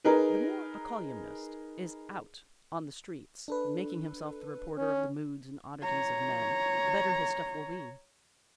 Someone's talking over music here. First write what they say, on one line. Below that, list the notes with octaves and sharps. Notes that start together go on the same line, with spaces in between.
The more a colyumist is out on the streets, making himself the reporter of the moods and oddities of men, the better his stuff will be.
D#4 G#4 A#4 B4
D4 A4 B4
C#4
C#5 A#5